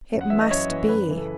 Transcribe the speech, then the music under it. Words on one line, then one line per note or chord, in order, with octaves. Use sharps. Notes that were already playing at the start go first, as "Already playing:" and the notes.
"It must be."
F#2
F#5
E3 E5
D#5
F#2 C#5
E3
F#2 B4
C#3 E3
A4